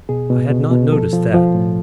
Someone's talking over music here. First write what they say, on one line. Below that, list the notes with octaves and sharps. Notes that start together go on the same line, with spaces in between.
I had not noticed that.
B2 G#4
B2
B2
B2
F3 A4
F3
F3
A2